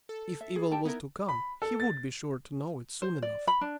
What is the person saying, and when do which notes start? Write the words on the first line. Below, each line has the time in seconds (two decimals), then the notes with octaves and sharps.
If evil was to come, he would be sure to know it soon enough.
0.09 A4
0.41 E5
0.56 G#4
0.72 G4 G5 A5
0.85 B3 D#4 E4 A#4
1.29 B5
1.62 A4
1.80 A6
3.02 C5
3.22 D5
3.47 B5
3.61 D4